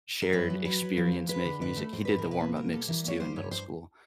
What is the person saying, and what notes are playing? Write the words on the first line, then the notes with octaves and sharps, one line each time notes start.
shared experience making music. He did the warm up mixes too in middle school.
A#4
F#2 B4
F#3
F#3 B4
F#3
F3
G#3
G#3 B4
D3
G#2 B4
A3
G#2 C5
G#2 B4
A#4
B2
B4
A#3
B2 A#4
G3 A4
E3 A#4
A#3 C#5
G3 C5
G2 C#5
C5